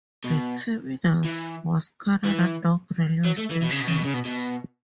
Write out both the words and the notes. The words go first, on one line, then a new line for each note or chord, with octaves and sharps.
The terminus was Canada Dock railway station.
B2
E3
E3
F#3
A3
E3
B2
C#3
B2
C#3
B2
C#3
B2
B2